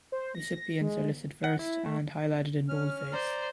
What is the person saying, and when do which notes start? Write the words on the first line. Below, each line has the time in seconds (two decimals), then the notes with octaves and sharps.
Recipients are listed first and highlighted in boldface.
0.12 C5
0.35 A#6
0.81 G#3
1.44 F#5
1.59 E4
1.86 A3
2.69 C#4 F6
3.13 C5 D5 A#5